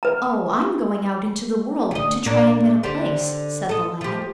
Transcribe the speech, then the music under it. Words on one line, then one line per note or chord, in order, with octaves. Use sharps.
"Oh, I'm going out into the world to try and get a place," said the lad.
B4 A#5
D2 D#5
A#2 A#3 D4
D3 G4 C5
A4 D#5
F3 G4